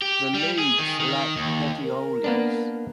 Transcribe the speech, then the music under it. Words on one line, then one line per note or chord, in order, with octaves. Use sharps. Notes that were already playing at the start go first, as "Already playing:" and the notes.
The leaves lack petioles.
G4
G3
G#4
D#3
D#3
D#2
A#4
A#3 B3 D4